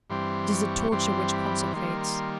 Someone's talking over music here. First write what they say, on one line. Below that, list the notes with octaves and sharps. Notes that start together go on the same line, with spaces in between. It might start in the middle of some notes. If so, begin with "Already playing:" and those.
It is a torture which consecrates.
G2 E3 G3 C4 C6
C#6
G2 E3 G3 C4 C6
B5
B5
D#3 G3 A#3 C6
C6